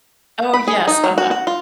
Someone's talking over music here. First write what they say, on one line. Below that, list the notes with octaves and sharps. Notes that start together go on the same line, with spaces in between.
Oh, yes, uh-huh.
B5
G#4
D#4
F#3
F#4
F#4
F4